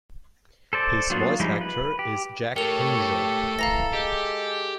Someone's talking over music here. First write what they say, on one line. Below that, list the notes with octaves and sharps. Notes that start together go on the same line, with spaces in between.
His voice actor is Jack Angel.
A4 C5 D5
F#3 A#3 B3 D4 F4
F3 G3 G#3 D#4 E4
B4
G4
A3 G4 A4 A#4 C#5 F7
E3 F5 A#5 A#6
G#3 G4